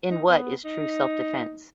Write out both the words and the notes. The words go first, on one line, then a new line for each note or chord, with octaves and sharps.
In What is True Self Defense?
D#4
B3
D#4